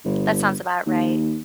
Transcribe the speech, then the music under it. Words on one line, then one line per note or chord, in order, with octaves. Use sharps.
That sounds about right.
G1
D#2